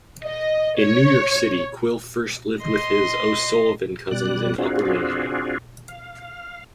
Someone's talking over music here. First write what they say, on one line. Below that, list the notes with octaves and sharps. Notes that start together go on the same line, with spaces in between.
In New York City Quill first lived with his O'Sullivan cousins in upper Manhattan.
D#5
C#5
D#5 C6
B2 G3 D5 F#6
C4 D4 F4 F#4 G#4
F5